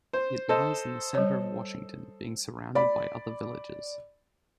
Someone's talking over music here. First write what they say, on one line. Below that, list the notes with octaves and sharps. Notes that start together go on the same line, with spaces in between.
It lies in the centre of Washington, being surrounded by other villages.
C5
A4 C5 D#5
G3 C#5
D5 B5